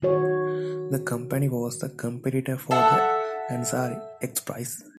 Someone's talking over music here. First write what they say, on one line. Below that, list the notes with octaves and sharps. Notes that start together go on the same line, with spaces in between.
The company was a competitor for the Ansari X-Prize.
D#3 F#4 C#5
A4 E5 F#5